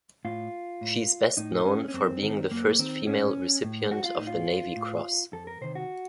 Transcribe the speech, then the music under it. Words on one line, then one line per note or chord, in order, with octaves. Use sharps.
She is best known for being the first female recipient of the Navy Cross.
A2 F4
A2
A2 D#4
C#4
C#4
F#2 C4
D#3
F#2 A#3
D#3 C4
A2 C#4
A2
F#4
F4
A2 D#4
F4
A2
F2 A4
A#4
C3 D#3 C5
F#4